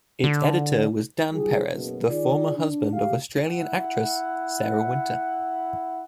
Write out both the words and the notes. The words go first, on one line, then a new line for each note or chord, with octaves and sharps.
Its editor was Dan Peres, the former husband of Australian actress Sarah Wynter.
D3
F#3 G3 D#4 F4 G4 G#4
F#1 B2
D#3 F4 G#4 D5
D4
D2 G4 F5
E4 F#5